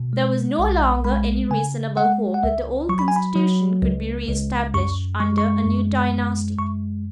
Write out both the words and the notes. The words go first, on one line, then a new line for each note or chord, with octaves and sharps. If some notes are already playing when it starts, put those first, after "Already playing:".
There was no longer any reasonable hope that the old constitution could be reestablished under a new dynasty.
Already playing: B2
G#3
B1
G#3 B5
C#3 G#5
G#3 F#5
F#5
C#2 E5
F#3 C#6
B5
G#5
B5
F#3
C#2
C#2
F#2 C#6
G#3 C#6
C#6
F#2
G#3
F#2 C#6